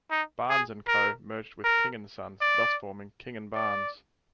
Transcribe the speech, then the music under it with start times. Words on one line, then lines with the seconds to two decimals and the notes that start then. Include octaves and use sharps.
Barnes and Co., merged with King & Sons thus forming King and Barnes.
0.11 D#4
0.50 G#4
0.88 A#4
1.64 A#4
2.41 D5
3.55 D5